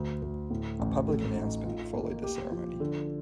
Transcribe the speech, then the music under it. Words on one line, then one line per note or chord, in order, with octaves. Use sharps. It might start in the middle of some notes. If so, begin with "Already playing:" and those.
A public announcement followed the ceremony.
Already playing: D2
D2
A2
A1
A3
D#4
F4
A#3
G4
F3
D3